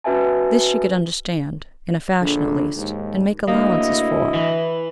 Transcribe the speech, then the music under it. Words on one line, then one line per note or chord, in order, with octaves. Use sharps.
This she could understand, in a fashion at least, and make allowances for.
C#4 F#4 B4 E5 G#5 A5
A#1 D3
D#2 G#2
D2 A#3 E4 D#5
E3